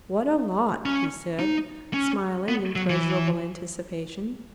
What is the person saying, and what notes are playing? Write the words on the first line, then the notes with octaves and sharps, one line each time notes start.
"What a lot!" he said, smiling in pleasurable anticipation.
C#4
D#4
C#4
B3
F#3
E3